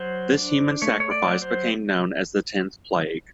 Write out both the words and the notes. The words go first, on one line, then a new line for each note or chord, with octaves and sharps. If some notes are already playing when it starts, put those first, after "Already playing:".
This human sacrifice became known as the tenth plague.
Already playing: F#3 C5
D4
A3 C#5
C#5
D5
F#3
C5